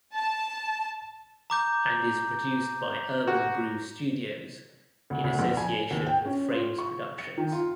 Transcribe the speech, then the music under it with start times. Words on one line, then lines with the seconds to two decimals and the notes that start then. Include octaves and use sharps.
And is produced by Urban Brew Studios in association with Frames Productions.
0.15 A5
1.50 A#5 D6 G6
3.27 F#4
5.10 D2
5.24 D2
5.39 A#1
5.57 G#5
5.91 D#2
6.06 G5
6.25 C#4
6.52 F4
6.78 C#6
7.19 C#7
7.38 D#3
7.52 F4